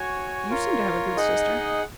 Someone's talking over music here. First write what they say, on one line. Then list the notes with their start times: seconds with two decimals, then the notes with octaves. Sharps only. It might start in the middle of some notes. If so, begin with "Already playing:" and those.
'You seem to have a good sister.'
Already playing: F#4 C#5 G#5
0.50 F4 A#4 C#5
1.16 D#4 G#4 D#5 F#5